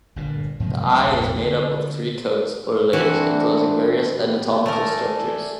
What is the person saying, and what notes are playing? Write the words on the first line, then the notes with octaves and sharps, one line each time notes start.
The eye is made up of three coats, or layers, enclosing various anatomical structures.
G1 G2 A#2
G#2 C3 F3 F#3
D2 F#3 G#3 A3
A#1 F2 G#2
D3
E3 G3 A3 C4 D4 E4 F#4
B3 G4 B4
A3 A4 A#4 D5 E5 G#5